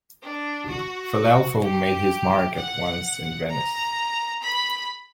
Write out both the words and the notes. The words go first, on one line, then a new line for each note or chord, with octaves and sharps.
Filelfo made his mark at once in Venice.
D4
F#4
G4
F#5
A#5
B5